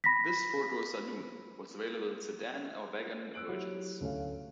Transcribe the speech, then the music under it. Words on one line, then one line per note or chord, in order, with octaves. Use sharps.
This four-door saloon was available in sedan or wagon versions.
B5 A#6 B6
E6 F#6 D7 F#7
F#3 E4 F#4 G4
D2 A3 C#4 F5